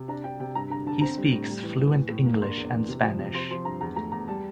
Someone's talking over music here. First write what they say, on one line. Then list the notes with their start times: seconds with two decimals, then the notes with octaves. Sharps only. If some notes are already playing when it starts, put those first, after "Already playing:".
He speaks fluent English and Spanish.
Already playing: C3
0.08 D4 A#5
0.24 D4 G5
0.40 C3 G5
0.55 G2 A#5
0.70 D3 A#5
0.87 D3 A5
1.01 C4 A#5
1.17 G3
1.32 A2
1.49 G3
1.63 E3
1.80 E3
1.96 A2
2.10 A2
2.26 A#3
2.41 D4 C6
2.57 E2
2.72 E3
2.89 C3
3.03 F3
3.19 C3
3.34 C4 C6
3.51 F3 C6
3.65 G2 A#5
3.81 E2 A#5
3.96 A3 A#5
4.12 E2 A#5
4.28 G3 A5